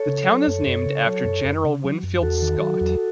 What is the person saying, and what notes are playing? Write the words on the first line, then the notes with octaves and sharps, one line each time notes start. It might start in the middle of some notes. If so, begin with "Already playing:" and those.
The town is named after General Winfield Scott.
Already playing: A4 C#5
C#3
F#3
F#2
F#2
C#3
F#3
F#2
F#2
C#3
F#3
F#2
E2 F#4 A4
D#3
F#3
E2